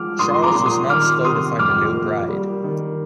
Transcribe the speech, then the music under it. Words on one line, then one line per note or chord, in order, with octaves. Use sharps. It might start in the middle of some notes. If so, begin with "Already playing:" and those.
Charles was not slow to find a new bride.
Already playing: F3 G#3 D6 F6
A#2 C6 D#6
C6
A#5 D6
A#2
C6 D#6
D#3 D6 F6
C3 C6 D#6
F2 D6 F6
A#3
G3
D#3